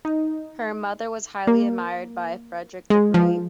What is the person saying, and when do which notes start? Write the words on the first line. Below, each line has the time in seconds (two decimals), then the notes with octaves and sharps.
Her mother was highly admired by Frederick the Great.
0.05 D#4
1.47 A#3
2.90 G#3
3.14 F3